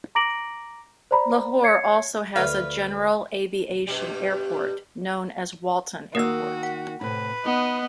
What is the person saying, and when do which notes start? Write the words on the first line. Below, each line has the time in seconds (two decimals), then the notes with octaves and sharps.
Lahore also has a general aviation airport known as Walton Airport.
0.15 A#5 D6 A#6 D7 F#7
1.11 C5 D5 A#5 B5
1.63 C#5 G#6 C7 C#7
2.36 D2 B4 F5 B5
3.87 G2 B2 G3
6.15 D#3 A#3 F#4 A#4 E6
6.63 F#5
7.01 A2 C3 B4
7.45 B3 D#4 D#5